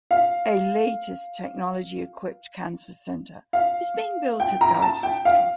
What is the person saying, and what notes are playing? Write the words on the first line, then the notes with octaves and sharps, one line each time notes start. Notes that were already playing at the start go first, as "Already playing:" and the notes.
A latest-technology-equipped Cancer Centre is being built at Guy's Hospital.
F5
F5
G5
A#5
A#5
A5
G5
F5